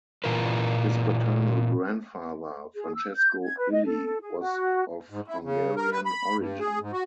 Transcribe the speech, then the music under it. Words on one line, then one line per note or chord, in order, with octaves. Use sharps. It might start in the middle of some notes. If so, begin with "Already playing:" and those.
His paternal grandfather, Francesco Illy, was of Hungarian origin.
A#2 E3 F4 A#4 B4
G#4
E6
G6
G#6
B4
D#5
A4
G#4
F#4
G#2
E4
C#3
A#4
B4
B5
G2
G#4
G#2
F#4